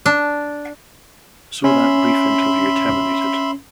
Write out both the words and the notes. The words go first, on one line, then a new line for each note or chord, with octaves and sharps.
So that brief interview terminated.
D4
C#4 E5 B5 C6